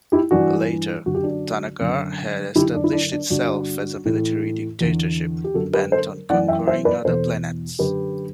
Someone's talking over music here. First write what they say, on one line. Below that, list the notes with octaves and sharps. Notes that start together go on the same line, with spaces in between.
Later, Thanagar had established itself as a military dictatorship bent on conquering other planets.
E4 G4
G2 E3 D4 F#4
F#2 D3 F#4
G4
D4 F#4
F#2 D3
F#2 D3 E4 G4
D4
E4
D4
D4
G2 D3 D4 F#4
A2 E3
E2 D3
G4
F#2 D3 F#4 A4
G4 B4
A4 C5
F#2 E3 D5 F#5
E5 G5
C5 E5
B4 D5
E2 B2 A4 C5
F#2 D3 G4 B4